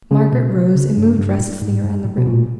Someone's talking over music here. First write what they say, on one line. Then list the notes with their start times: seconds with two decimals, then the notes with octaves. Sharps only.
Margaret rose, and moved restlessly around the room.
0.11 C#3
0.32 B2
0.75 C#3
0.97 G2
1.19 G2
1.40 A2
1.62 G#2
1.83 G2
2.04 A2
2.17 B2
2.27 A#2